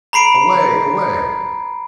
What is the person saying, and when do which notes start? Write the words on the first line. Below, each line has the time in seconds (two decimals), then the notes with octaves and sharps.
Away! away!
0.13 A#5 B5 C7 D7